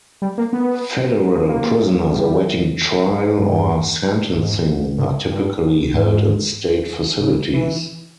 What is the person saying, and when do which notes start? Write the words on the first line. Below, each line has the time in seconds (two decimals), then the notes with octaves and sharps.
Federal prisoners awaiting trial or sentencing are typically held in state facilities.
0.22 G3
0.38 A#3
0.53 B3
1.49 A#3
2.13 G3
3.08 G#2
3.40 G2
4.35 G#2
4.98 G2
5.30 G2
5.94 G#2
7.21 C#3
7.53 E3